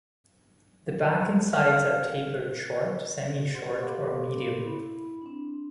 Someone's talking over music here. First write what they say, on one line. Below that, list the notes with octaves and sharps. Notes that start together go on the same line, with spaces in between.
The back and sides are tapered short, semi-short, or medium.
F5 F6
G4 C5 F#5 C6
G4 A4 F5 B5 C6 D6
E4 B5
C4 D4